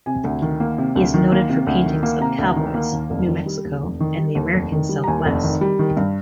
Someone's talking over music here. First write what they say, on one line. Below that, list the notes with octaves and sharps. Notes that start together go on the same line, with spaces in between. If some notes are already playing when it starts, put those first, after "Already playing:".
He is noted for paintings of cowboys, New Mexico, and the American Southwest.
C3 G#5
D2
D#3
A#3
C3
D2
D#3
A#3
C3
D2
D#3
A#3
C3 A#5
D2
D#3
A#3
D#2
F1
D#3
G3
D#2
F1
D#3
G3
D#2
F1
D#3
G3
A#5
D#2 G#5
F1
D#3
G3
D#3
G2